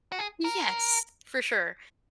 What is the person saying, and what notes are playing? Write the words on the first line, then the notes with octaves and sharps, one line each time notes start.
Yes, for sure.
F#4
G#4
A#4